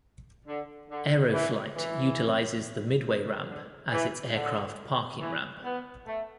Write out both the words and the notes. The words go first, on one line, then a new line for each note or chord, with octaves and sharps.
Aeroflite utilizes the Midway ramp as its aircraft parking ramp.
D3
D3
E3
E3
D3
E3
D3
E3
B3
A3